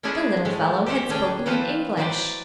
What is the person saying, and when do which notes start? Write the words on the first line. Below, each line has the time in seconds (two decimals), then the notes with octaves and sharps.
The little fellow had spoken in English.
0.03 G#3 C#4 D4 E4 G#4 A4
0.45 A2 G#3 A3
0.86 G4 C5 E5 F#5
1.09 D3 A3 C#4 D4 G#4 G5
1.46 E3 C4 F4 A4 B4 C5
1.97 E3 F#3 B4 C5 D5